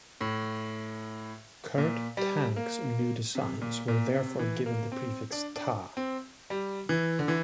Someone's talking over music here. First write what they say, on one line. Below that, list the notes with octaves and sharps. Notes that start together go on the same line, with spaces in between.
Kurt Tank's new designs were therefore given the prefix Ta.
A2
A#2
G3
A#3
C3
A#2
A#2
C3
E3
A#3
C4
D4
D4
C4
G3
E3
D3
E3